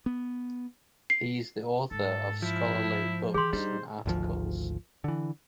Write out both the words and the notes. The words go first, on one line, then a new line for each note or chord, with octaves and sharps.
He is the author of scholarly books and articles.
B3
C7
G#2 A4
F3 E4
E3 G4 G#4 C6
G3 D4 D#4 C5
G#1 D2 F3
D3 E3